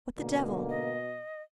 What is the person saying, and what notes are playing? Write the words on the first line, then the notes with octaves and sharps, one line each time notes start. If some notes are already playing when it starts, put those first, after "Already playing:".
What the devil!
G#2 B2 D3 A#3
D#5